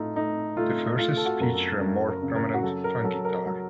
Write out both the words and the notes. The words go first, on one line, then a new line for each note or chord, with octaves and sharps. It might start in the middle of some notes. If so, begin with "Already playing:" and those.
The verses feature a more prominent funk guitar.
Already playing: A2 A3 D#4 F4
A3 D#4
A3 F4
A3 F4
A4
F#4
F#2 A#4
A4
F#2 A#4
A#4
C#3
A#4
F#4
F#3 A4
A#4
F#3 A4
A#4
F#3